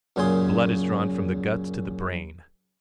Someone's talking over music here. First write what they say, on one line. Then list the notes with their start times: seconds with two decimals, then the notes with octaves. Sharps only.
Blood is drawn from the guts to the brain.
0.16 F#2 A#2 C#3 G#5 C6 D#6